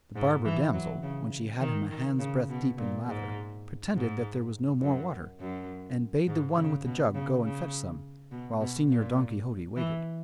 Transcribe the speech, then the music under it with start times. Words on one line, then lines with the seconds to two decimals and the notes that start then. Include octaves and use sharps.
The barber damsel, when she had him a hand's breadth deep in lather, pretended that there was no more water, and bade the one with the jug go and fetch some, while Senor Don Quixote waited.
0.15 G#2
0.45 E3
0.73 F#3
1.03 C#3
1.60 D#3
1.90 D#3
2.19 C#3
2.49 B2
2.77 A#2
3.06 G#2
3.94 G#2
4.81 F#2
5.40 F#2
6.27 G#2
6.56 C#3
6.85 B2
7.14 C#3
7.43 C#3
8.31 B2
8.60 B2
8.89 A#2
9.76 E3